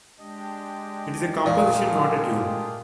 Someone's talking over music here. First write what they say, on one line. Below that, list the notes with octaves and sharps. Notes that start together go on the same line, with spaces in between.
It is a composition not a tune.
G#3 D4 G4 D#5
A#2 A3 F4 G#4 D5